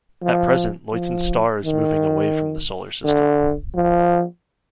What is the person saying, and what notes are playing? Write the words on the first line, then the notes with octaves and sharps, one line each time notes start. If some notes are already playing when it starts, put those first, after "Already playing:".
At present, Luyten's Star is moving away from the Solar System.
F3
F3
D#3
D3
F3